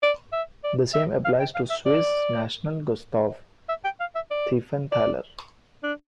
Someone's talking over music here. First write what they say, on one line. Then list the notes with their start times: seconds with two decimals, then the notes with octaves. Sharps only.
The same applies to Swiss national Gustav Thiefenthaler.
0.03 D5
0.32 E5
0.64 D5
0.94 E5
1.25 F5
1.40 G5
1.55 F5
1.70 E5
1.86 D5
3.69 E5
3.84 G5
4.00 F5
4.15 E5
4.30 D5
4.92 D5
5.83 D4